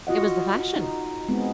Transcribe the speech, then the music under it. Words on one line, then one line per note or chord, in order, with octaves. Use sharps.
It was the fashion.
F4 F#4 D#5 F#5
D#4
G#3 B3 C4